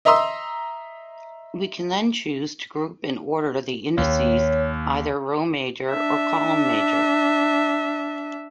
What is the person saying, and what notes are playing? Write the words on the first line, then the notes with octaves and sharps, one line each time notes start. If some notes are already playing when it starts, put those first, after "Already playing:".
We can then choose to group and order the indices either row-major or column-major.
D#5 E5 A#5 C6 D#6 E6
D#2 C#5
D4 E5